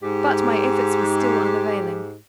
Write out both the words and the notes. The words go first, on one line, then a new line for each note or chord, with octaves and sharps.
But my efforts were still unavailing.
G#2 G4